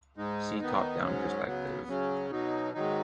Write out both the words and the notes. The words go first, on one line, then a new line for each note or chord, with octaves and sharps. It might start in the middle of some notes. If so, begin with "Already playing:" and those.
See top-down perspective.
G#2 G#3 D#4
D#3 B3 D#4
G#2 F#3 C#4
C#3 F#3 B3
C#3 F#3 C#4
B2 F#3 D#4
G#2 D#3 F#3 D#4